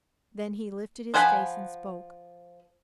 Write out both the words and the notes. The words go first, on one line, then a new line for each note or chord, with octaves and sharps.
Then he lifted his face and spoke.
F3 C5 F#5 G#5 B5